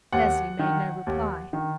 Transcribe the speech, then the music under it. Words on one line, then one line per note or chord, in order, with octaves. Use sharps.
Leslie made no reply.
D#2 F#5
D#3
D#2
D#3